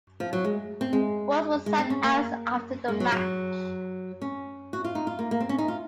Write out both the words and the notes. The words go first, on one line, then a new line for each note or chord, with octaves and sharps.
Walls was sacked hours after the match.
F3
F#3
G#3
C4
G#3
G#3
C4
C#4
A#3
G#3
F#3
F#3
C#4
F#4
F4
D#4
F4
A#3
A#3
C4
C#4
D#4
F4